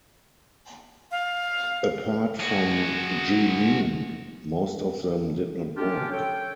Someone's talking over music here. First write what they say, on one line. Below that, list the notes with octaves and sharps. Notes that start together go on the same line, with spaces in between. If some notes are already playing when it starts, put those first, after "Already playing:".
Apart from "Junoon", most of them did not work.
F5
F#4 G#4
C#4 D4 F4 G4
A4 C#5 G5